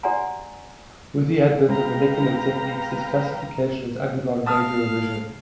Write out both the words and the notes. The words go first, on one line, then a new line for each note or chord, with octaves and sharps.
With the advent of molecular techniques this classification has undergone major revision.
F#4 G4 D5 F#5 G#5 A#5
G#3 B4 F5 G5 A#5
F5 A5 D#6 F6